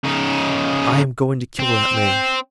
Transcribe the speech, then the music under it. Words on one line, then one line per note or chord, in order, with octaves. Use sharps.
I am going to kill that man.
C#3 D#4
C4